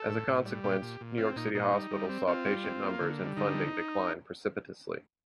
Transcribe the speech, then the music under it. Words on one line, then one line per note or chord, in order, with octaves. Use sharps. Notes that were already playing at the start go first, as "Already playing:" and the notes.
As a consequence, New York City hospitals saw patient numbers and funding decline precipitously.
Already playing: A4
A2
A2
G3
A#2 G4
A#2
A#2
C4 F4
A#2 D#4
A#2 D#4
G3
G3
C4
C4 F4
G3
C4
A#3
D3
G3
D3 D#4